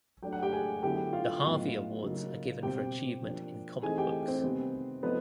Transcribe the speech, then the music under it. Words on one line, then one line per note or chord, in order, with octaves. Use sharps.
The Harvey Awards are given for achievement in comic books.
F#3 A3 D4 G5
F#5
G4 G5
G#4 G#5
D3 F#3 B3 E4 G4 G5
F4 F5
A2 F#3 B3 D#4
C#3 F#3 A#3 D#4
B2 G3 C4 G4 G5
F3 A#3 D4
E3 A3 C4 D#4 G#4 G#5
G4 G5
C4 C5
C3 D#3 G3 B3
F3 A3 B3 C4 D#4 B4